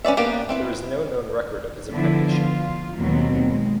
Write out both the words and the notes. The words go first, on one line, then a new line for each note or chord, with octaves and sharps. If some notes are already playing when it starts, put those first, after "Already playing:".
There is no known record of his apprenticeship.
C#4 B4 D5 E5
A#3 B3 D4 G4
C4 E4 B4
D3 F3 B3 D4 E4
F4
D#2 B2 F#3 A3 B3 C4
G#3